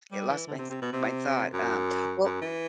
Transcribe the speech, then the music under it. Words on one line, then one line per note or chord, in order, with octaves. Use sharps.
I lost my th my thought, um, well
G3
E3
D3
C3
C3
B2
C3
F#2
F#2
E3